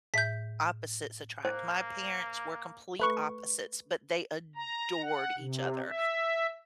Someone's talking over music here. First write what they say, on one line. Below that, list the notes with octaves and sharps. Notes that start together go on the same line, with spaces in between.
opposites attract. My parents were complete opposites, but they adored each other.
A2 E5 G6 B6
A#3 C5
A3 B4 C#6
A#5
F#5
C3
E5